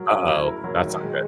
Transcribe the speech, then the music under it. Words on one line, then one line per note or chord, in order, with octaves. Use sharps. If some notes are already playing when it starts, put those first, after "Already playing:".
Uh-oh, that's not good.
Already playing: F#3 A#4
C#4
E4
A#4
F#3
D#3
G#3